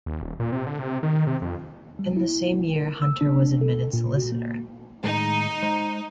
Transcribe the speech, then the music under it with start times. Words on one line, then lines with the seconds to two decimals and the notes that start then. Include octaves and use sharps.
In the same year Hunter was admitted solicitor.
0.06 D#2
0.22 D#1
0.40 A#2
0.52 C3
0.66 D3
0.79 C3
1.03 D#3
1.27 C3
1.42 F2
1.99 G3
2.17 E4
2.76 A#4
3.02 E6
3.21 D4
3.61 A4
3.93 A#2
4.17 F#4
4.32 A#3
5.04 A2 D#3 G#3 D#4
5.63 G#3 C5